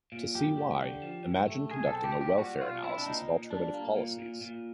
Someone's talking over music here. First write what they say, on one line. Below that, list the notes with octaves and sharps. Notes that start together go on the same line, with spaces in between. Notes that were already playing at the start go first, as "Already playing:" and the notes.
To see why, imagine conducting a welfare analysis of alternative policies.
A#2
F#2 G4
A3
D3
F3
F#2
A3
B1 G#4
A4
C4
G4
A#2
G4
G3 F#4
B1 F4
C4 E4
D4
A#2 D#4
A#2
G3 D4
A#3
A#2
A#2
A#2